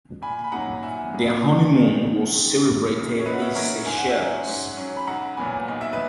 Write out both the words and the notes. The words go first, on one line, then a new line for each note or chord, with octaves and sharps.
Their honeymoon was celebrated in Seychelles.
A#2 G#5 B5
B5
F#3 A#3 D#4 F#5 A#5
A#2 E5 G#5
F#3 A#3 D#4
F#2
D#3 G#3
F#2
D#3 G#3
F#1
F#2 C#3 G#3 D#4
C#5
F#1 B4 D#5
F#5
E5
D#5
F#2 C#3 G#3 D#4 A#4 C#5
G#2 G#5
F#5
E5 G#5
F#3 C#4
G#2
F#3 C#4
B5
B1 F#5 A#5
A#2 F#3 B3 G#5 B5
B1 D#5
E5
B4 D#5